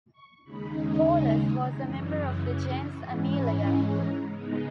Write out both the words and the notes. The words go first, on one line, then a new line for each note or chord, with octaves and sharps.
Paullus was a member of the gens Aemilia.
C#6
D#2 C#3 G#3 D#4 B5
A#5
F#2 C#3 E3 G#5
A#5
C#6
G#2 E3 G#3 C#4
B5
A#5
C#3 G#3 B3 D#4